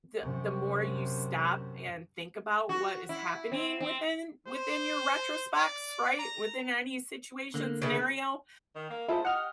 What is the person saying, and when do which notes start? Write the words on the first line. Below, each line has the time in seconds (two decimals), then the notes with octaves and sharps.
the the more you stop and think about what is happening within within your retrospect's, right, within any situation scenario,
0.22 F#2 C3
2.69 F#4
3.09 E4
3.52 C4
3.80 C4
4.47 C5
5.56 D5
6.19 A#5
7.54 D3 A#3
7.82 C#3 E4
8.76 D#3
8.90 A#3
9.08 A#2 G#3 E4 F4 A4 C5
9.25 G4 D#5 F#5 F6